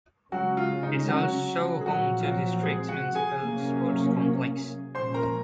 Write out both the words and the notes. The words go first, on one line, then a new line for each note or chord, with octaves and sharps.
It is also home to the district's municipal sports complex.
C#3 F#3 G#3 C#4 F#4
F4
D#4
F#3 F#4
G#4
A#2 F3 F#3 C4 F#4
F4
F#3 F#4
G#3 G#4
F#4 F#5
G#4 G#5
C3 F#3 A#3 C#4
A#2 F3 G#3 C#4 C5 C6
A#4 A#5